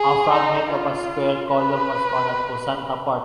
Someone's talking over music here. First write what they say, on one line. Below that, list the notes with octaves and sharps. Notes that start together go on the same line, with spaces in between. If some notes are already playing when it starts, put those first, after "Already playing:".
A fragment of a square column was found at Fuensanta park.
Already playing: G#4
D#4
F4
B4